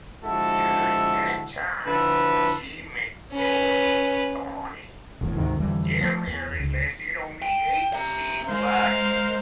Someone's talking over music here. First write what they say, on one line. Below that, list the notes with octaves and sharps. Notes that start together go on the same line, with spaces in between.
During that time she met George Tawney; their marriage only lasted eighteen months.
D3 F3 G#3 E4 F#4 A4
D3 F3 E4 A4 B4
C#4 B4
E1 A#1 E2 A2
D2 G#2 C3 D#3
F2 D3 E3 G3
F3 A3
E2
C#2
G5
E5 A#5
G#3 A#4 C5 F5